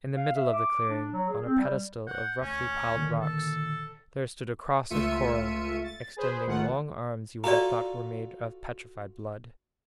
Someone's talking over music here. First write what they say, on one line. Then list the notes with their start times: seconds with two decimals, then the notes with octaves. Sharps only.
In the middle of the clearing, on a pedestal of roughly piled rocks, there stood a cross of coral, extending long arms you would have thought were made of petrified blood.
0.16 F5
0.35 E5
0.53 D6
0.89 D4
1.12 F#3
1.29 G#4
1.45 C4
1.58 G3
2.07 F#5 G6
2.41 D2 C#4
2.94 A#2 D3 D#3
3.21 A4
4.90 C#2 A3 F4 E5 C#7 D#7
5.83 A6
6.16 G#4 B4 C5
6.46 A#1 D#3 A3 F4 F#5
7.44 F4 F#4 A4 D5 A#5